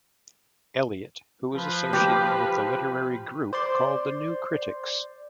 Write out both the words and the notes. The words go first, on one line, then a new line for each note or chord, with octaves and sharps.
Eliot, who is associated with the literary group called the New Critics.
F3 B4
G4
C5 D5 C6